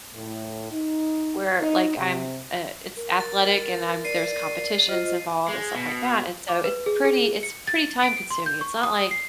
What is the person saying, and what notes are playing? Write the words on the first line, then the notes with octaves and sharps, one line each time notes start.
where, like, I'm, uh it's athletic, and I'm there's competitions involved and stuff like that, and so, it's pretty it's pretty time consuming, it's not like
A2
D#4
D#4
C3
A#4
A6
D5 C7 D#7
F4 C5 D#5
G#3
B2
D6
B4
G#4
G#4
C#7
A6
D7
C6
G6
C#6
D#6
C7